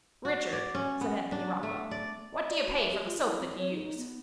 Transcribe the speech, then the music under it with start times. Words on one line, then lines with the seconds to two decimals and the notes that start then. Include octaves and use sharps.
"Richard," said Anthony Rockwall, "what do you pay for the soap that you use?"
0.25 F#4
0.53 D5
0.75 C#4
1.01 B3
1.32 D4
1.63 A3
1.91 D5
2.33 D#5
2.49 D5
2.65 F#4
2.79 E5
2.91 G4
3.05 F4
3.25 E4
3.40 C4
3.58 C#5
3.70 D#4
3.84 D#4
3.97 B3